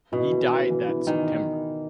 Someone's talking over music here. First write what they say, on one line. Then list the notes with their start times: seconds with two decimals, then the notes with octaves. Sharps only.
He died that September.
0.12 B2 B3 E4
0.31 E3
0.50 B3 E4
0.70 E3
0.87 B3 E4
1.07 D#3 E3